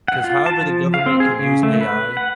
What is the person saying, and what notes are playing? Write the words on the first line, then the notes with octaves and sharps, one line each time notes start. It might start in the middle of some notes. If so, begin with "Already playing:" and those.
'Cause however the government can use AI,
F#5
F4
A5
F3
F5
C4
G#4
C#3
A3
B4
F#5